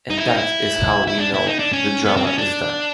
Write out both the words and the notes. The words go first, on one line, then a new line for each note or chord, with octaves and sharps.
And that is how we know the Drama is done.
D#4
E4
D#4
E4
E4
D4
E4
D#4
D4
C#4
B3
C4
C#4
D4